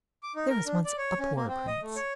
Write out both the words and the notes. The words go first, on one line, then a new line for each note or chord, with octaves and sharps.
There was once a poor Prince.
D6
D#4
A#4
D4
D5
C#5
C#4
A#3
C4
D#5
A3
C#5